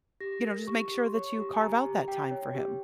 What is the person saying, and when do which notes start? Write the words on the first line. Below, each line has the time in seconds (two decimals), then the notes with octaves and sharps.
you know, just make sure that you carve out that time for him.
0.20 G4 A#6
0.44 A#4
0.67 G4 C#6
0.91 G4
1.06 C6
1.14 C#5 C#6
1.38 G4
1.53 G#5
1.61 G4 A#5
1.84 G4
2.08 G4 G5
2.31 C#5
2.55 G4